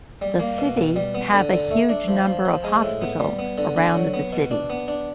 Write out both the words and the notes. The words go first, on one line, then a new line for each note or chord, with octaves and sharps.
The city have a huge number of hospital around the city.
G3
A#3
B2
B2
G3
B3
D3
D3
A3
D4
F3
F3
F3
G#3
A2
B3
G3
B3
D3
D3
F#3
B3
B2
D4
B3
D4